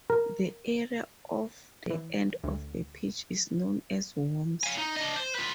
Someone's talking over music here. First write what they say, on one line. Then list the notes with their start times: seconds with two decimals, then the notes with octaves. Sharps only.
The area off the end of the pitch is known as "Worms".
0.10 A#4
1.90 E3
2.44 D2
4.64 F5 G#5
4.78 D#4
4.97 D4 D#5
5.16 C5
5.35 F4 B4